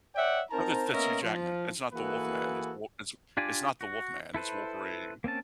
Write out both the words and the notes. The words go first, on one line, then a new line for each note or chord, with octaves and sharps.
Oh, that's that's Hugh Jackman. It's not the wolf man. It's w it's it's not the wolf man. It's Wolverine.
C#5 D5 E5 F#5 G5
C4 D#4 A#4 C5 A5 A#5
A#3 B3 C#4 A#4 D#5 E5
F3 F4
E3 A#3 F#4 G#4 A4 B4
D4 F4 G4 D5 G#5
F#4
E4 A4 B4 C5
A#3 C4 C#4 A5